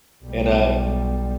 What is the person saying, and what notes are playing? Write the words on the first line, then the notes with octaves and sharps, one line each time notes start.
and, um
B1 G3